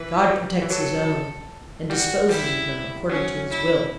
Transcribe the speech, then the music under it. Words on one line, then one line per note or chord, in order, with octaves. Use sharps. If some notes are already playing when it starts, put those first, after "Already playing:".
God protects his own, and disposes of them according to his will.
Already playing: E3 B4
F#3
G3
E3
F#3 A4
G3 F#4
G3 E4
F#3 C#4
E4